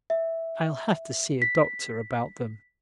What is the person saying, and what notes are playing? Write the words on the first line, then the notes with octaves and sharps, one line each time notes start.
I'll have to see a doctor about them.
E5
B6